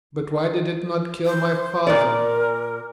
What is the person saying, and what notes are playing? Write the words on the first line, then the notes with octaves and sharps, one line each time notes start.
"But why did it not kill my father?"
C5
A#2 A#4 D5